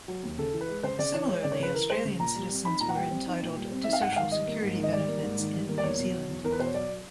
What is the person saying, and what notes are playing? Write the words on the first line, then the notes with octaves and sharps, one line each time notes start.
Similarly, Australian citizens were entitled to social security benefits in New Zealand.
F#3
D#2
C#3 A4
E3
B4
G#3
C#3 C5
C#3 D5
E3 C#5
G#3 C#5
C#3 D5
C#5
C#3 B4
E3 A#4
G#3 C5
C#3
A#2 A#5
G3
C4
D#4 B5
A#2 A#5
F#5
G3 G5
C4
D#4
A#2
G3
C4
D#4 E5
F5
G#2 F#5
F#5
D#3 F5
G3 D#5
A#3
G#2
D#3
D#5
G3 D5
A#3
G#2
D#3
G3
A#3
D5
E2 C#5
B2
F#3
E2
E2 A#4
B4
B2 C5
C#5
F#3 D5